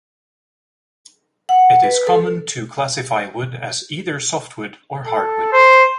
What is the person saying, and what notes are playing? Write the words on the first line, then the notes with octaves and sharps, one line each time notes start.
It is common to classify wood as either softwood or hardwood.
F#5
B4
A4
A4
C5